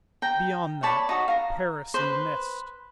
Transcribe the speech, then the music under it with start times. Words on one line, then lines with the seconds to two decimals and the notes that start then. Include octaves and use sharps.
Beyond that, Paris in the mist!
0.22 G5 A#5
0.83 C#5 D5 A5 B5
1.09 D#4 F#4 D#6
1.28 F5 A#5
1.94 B4 C5